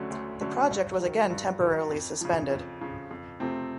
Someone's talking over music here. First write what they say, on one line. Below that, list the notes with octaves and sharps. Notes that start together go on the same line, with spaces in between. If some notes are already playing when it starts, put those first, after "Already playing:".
The project was again temporarily suspended.
Already playing: D2 D3 F#3 A3 C#4
D2
D3 F#3 A3 C#4
G2
D#3 F#3
G2
D#3 F#3
F2
C#3 F3
F2
C#3 F3
F2
C3 F3 A3 C4